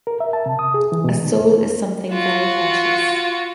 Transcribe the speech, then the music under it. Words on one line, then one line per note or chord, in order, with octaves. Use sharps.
A soul is something very precious.
A#4
E5
A5
C3
D#6
G#4
E3
B2
D#3
E2
F4 F#4